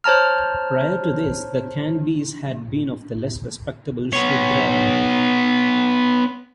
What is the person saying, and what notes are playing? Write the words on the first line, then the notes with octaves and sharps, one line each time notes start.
Prior to this, the Kanbis had been of the less respectable Shudra rank.
C5 C#5 A5 A#5 F6
B3 C#5